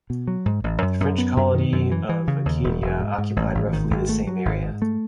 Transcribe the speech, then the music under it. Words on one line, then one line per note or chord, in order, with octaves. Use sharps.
The French colony of Acadia occupied roughly the same area.
B2
F#3
G#2
A1
F#2
F#2
B3
F#2
D#3
F#2
E3
E3
C#3
D#2
E1
E1
G#2
G#2
A1
G#1
D#3
G#1
A3
F#3
G#1
G#2
A3